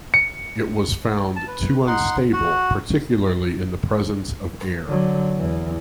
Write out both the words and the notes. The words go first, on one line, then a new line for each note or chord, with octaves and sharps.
It was found too unstable, particularly in the presence of air.
C#7
A5
B4
D#4 F#5 C6
F#4 F#5
D3 F#3
E2 E3